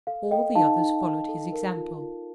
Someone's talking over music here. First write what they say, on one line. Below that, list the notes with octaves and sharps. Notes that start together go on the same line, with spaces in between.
All the others followed his example.
A4 F5
A4 D#5 G5
D#4 F5 A5
D#4
D#4
A4
A#4
F4
F4